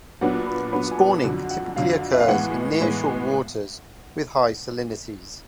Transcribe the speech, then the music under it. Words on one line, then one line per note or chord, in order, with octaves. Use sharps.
Spawning typically occurs in near-shore waters with high salinities.
A#2 F#3 B3 D4 F#5
B5
A#2 F#3 B3 D4 B5
G#5
A5
F2 D3 F#3
F#5
F2 D3 F#3 F5
E5
F5
A2 E3 G#3 B3 F#5
A2 E3 G#3 B3